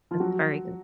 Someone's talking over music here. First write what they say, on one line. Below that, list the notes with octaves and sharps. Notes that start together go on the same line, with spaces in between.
That's very good.
F3 F4
F#3 F#4